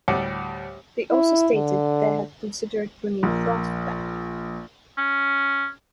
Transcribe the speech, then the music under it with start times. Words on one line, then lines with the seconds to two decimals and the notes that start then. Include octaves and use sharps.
They also stated they had considered bringing Frost back.
0.08 D2 A2 G3 F#5 D6
1.11 E4
1.55 D3
3.23 A#1 A#4
4.98 C#4